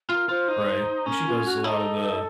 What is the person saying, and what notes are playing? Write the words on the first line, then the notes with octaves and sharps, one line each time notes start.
Right. And she does a lot of the
F4 A#4
F4 C5
D#4
C#4 A#4
F4
F#4
D#4 A4